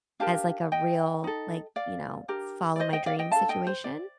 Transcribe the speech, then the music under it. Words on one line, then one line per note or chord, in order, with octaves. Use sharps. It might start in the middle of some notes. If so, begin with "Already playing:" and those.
as, like, a real, like, you know, follow my dream situation?
D4 G4 A#4 F5 A5
D#5 G5
D#4 A4
D5 F5
D4 G4 A#4
D5
C5 D#5
D#5 G5
D5 F5
D#5 G5
D4 A4 F5 A5
D#5 G5
C5
D5